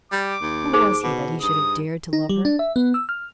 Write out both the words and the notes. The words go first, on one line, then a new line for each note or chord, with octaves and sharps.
Who was he that he should have dared to love her?
G3 D6
D#2
D#4 G#4 C5
B2
G2 D#6
D#4
G3
D4
E5
B3
E6
F6